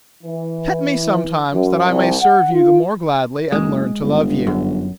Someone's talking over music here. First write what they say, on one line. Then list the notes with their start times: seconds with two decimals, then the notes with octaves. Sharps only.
Pet me sometimes, that I may serve you the more gladly and learn to love you.
0.24 E3
1.53 F#2
1.88 C2
2.21 F#5
2.52 F4
3.52 F#1 G#3
4.02 G1
4.47 F#2